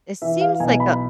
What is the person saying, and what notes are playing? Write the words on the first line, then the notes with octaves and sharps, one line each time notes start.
It seems like a
E3 E5
F5
B1 G#5
B5